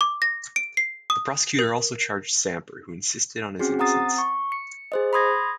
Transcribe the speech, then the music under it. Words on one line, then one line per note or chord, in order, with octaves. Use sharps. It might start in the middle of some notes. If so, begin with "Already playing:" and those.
The prosecutor also charged Samper, who insisted on his innocence.
D6
A#6
D7
C7
D#6
A#4
C4 C#4 F#4 G#4
C4 F#5 A#5 D#6 A6
C#6
C#7
G#4 C5 D#5
B5 C6 D#6 G#6 A#6